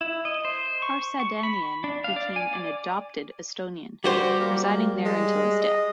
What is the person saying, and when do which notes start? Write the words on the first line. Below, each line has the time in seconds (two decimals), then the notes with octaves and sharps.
Parsadanian became an "adopted" Estonian, residing there until his death.
0.01 E4
0.25 D#5
0.45 C5
0.82 C#6
1.20 C#6
1.43 B5
1.84 D4
2.04 F5
2.16 D5
2.36 G#5
2.54 D5
4.04 G3 F#4 G4 C5
4.40 A#3
5.06 G#3
5.62 D#5